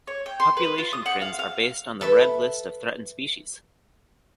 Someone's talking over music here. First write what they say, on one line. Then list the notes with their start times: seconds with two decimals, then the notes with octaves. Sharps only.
Population trends are based on the Red List of Threatened Species.
0.07 C#5
0.26 G5
0.40 C6
0.57 B4
0.78 F4
0.93 D#6
1.06 F#5
1.22 F5
1.39 F5
2.01 A4 B4 E5